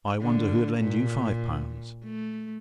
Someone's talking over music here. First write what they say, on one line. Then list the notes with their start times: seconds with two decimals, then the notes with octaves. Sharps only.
I wonder who'd lend you five pounds?
0.21 D3
0.78 A#2
2.04 A3